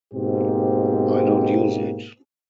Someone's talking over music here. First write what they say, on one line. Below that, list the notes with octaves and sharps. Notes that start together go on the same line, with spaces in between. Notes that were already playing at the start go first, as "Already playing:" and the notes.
I don't use it.
G#2 B2 A#3 C4 G4